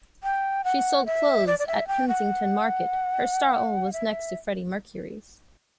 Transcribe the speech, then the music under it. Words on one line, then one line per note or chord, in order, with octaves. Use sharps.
She sold clothes at Kensington Market; her stall was next to Freddie Mercury's.
G5
F#5
E5
D5
D5
E5
G5
F#5
E5